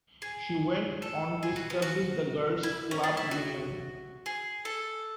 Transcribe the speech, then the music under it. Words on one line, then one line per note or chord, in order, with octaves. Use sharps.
She went on to establish the Girls Club Union.
G#4
A4
G#4
F#4
B3
F#4
E4
C#4
D4
E4
F#4
G#4
A4